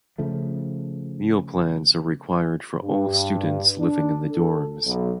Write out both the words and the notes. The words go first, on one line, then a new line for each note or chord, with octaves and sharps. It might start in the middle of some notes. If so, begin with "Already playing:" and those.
Meal plans are required for all students living in the dorms.
C#3 F3 A3
G2
D4
A4
B1